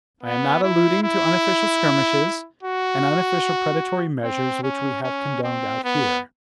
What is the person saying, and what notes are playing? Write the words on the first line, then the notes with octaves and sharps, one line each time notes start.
I am not alluding to unofficial skirmishes, and unofficial predatory measures which we have condoned out here.
B3
E4
E4
F#4
C4
C#4
C#4
C4
B3